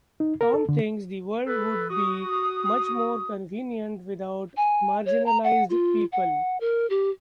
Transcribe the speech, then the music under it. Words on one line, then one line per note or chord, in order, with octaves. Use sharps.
Tom thinks the world would be much more convenient without marginalized people.
D#4
A#4
A4
D3
A4 B4
F#4 D#6
G#5
C#5
A#5
F#5
F4
F#5
A#4
G4